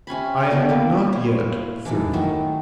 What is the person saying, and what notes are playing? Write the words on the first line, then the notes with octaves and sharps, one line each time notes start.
'I am not yet thirty.'
C3 C#4 G#5 B5
B2 G4 A4
A#3 A#4 B4
E4 C5 C#5
E3 D4 D#4
D#3 F#3 A3